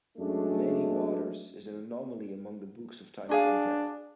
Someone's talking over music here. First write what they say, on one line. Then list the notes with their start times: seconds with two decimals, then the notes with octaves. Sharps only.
"Many Waters" is an anomaly among the books of the Time Quintet.
0.18 F#2 G#3 A3 C#4 D4
3.29 D4 F#4 G#4 F5